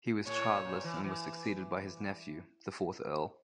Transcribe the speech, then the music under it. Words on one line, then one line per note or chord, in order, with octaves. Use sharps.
He was childless and was succeeded by his nephew, the fourth Earl.
A2 C#5
A#2
A#2
E3
E3